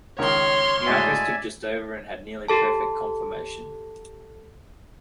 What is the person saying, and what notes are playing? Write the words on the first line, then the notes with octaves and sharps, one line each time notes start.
Nearco stood just over and had nearly perfect conformation.
C#2 D#3 A#4 C#5 C6
A2 G#3 F#4 D5 E5 G#5
G4 A4 A5